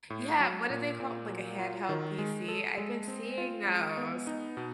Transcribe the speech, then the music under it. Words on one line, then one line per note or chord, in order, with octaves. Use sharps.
Yeah, what do they call it? Like a handheld PC? I've been seeing those.
A2
F#3
A#2
A#2
F#3
F4
D#3
G#3
A4
G#3
C4
F4
G#3
B3
D#4
B2